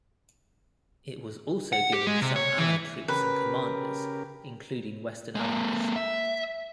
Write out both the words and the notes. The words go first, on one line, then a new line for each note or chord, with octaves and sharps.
It was also given to some allied troops and commanders, including western allies.
F#5
G4
G#3
C3
C#5
E3
C#3 G4 A#4 B4
G#3 A#3
E5